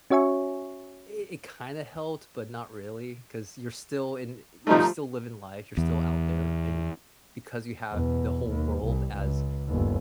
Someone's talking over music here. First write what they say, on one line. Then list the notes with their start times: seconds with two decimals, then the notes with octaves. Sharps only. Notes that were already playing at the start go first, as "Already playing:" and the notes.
it it kinda helped but not really 'cause you're still in you're still living life, you're still out there. And because you have the whole world as
0.10 C#4 F#4 C#5 E5 G#5 C#6
4.67 F3 G3 A3 D#4
5.77 E2
7.92 E2 B2
8.48 D#2
8.85 C2
9.16 C#2
9.67 G1 D#2